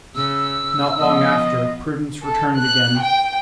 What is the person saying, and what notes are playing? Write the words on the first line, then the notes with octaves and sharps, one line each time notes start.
Not long after, Prudence returned again.
C#3 E6
F3 B3 F4 D#5
A4
F#6
G5